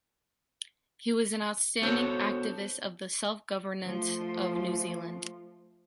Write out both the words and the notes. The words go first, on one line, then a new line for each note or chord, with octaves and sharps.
He was an outstanding activist of the self-governance of New Zeeland.
B3 D4 F#4 A4 C5 C#5
F3 A3